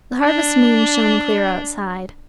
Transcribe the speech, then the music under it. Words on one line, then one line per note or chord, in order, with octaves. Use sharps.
The harvest moon shone clear outside.
D4